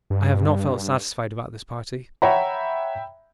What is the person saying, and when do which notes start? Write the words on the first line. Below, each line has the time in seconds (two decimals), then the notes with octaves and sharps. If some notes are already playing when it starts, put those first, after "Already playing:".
I have not felt satisfied about this party.
0.10 G2
2.22 C#5 E5 F#5 G5 A#5 B5